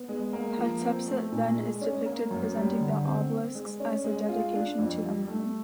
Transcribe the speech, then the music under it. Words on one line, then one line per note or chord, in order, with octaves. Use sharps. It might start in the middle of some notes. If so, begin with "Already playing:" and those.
Hatshepsut then is depicted presenting the obelisks as a dedication to Amun.
Already playing: B3
G#3
A#3
F3
C4
A3
A#2
G#3
C#4
A#3
F#2
G3
D3
C4
C4
G#3
C#4
G#3
F4
D4
F2
G3
A3